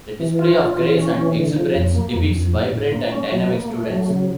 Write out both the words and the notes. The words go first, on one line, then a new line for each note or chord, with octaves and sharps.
The display of grace and exuberance depicts vibrant and dynamic students.
E3
F4
F4
E3
C#4
E3
D3
F3
F2
A#3
F2
F2
A2
A2
A#3
C#4
F#3
A#3
A3
F#3
C#3